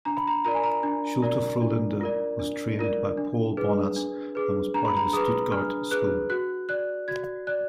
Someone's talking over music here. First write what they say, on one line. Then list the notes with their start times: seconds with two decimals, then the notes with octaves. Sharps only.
Schulte-Frohlinde was trained by Paul Bonatz and was part of his Stuttgart school.
0.05 D4 A#5
0.17 B5
0.27 A#5
0.45 F4 A#4 D5 A#5
0.54 G#5
0.64 A#5
0.83 D4
1.22 F4 A#4 D5
1.62 D4
2.01 F4 A#4 D5
2.39 D4
2.79 F4 A#4 D5
3.17 D4
3.57 G#4 B4
3.96 D4
4.35 G#4 B4
4.74 D4 A#5
4.85 B5
4.97 A#5
5.13 G#4 B4 D#6
5.52 D4 F6
5.91 G#4 B4 F#6
6.30 F#4 F#6
6.69 D5 F#6
7.08 F#4 G#6
7.47 D5 F#6